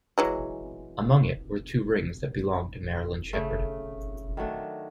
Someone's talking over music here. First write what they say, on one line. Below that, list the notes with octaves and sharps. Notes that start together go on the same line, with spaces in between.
Among it, were two rings that belonged to Marilyn Sheppard.
E3 F#3 G#3
C#3 A3
D#3 F#3 A3 D4